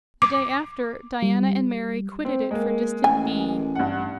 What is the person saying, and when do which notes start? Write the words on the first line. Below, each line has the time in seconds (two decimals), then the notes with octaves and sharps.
The day after, Diana and Mary quitted it for distant B-.
0.22 D6
1.22 G3
2.25 C4
2.51 G#3 A#3
3.04 A1 G#5
3.75 G2 F#5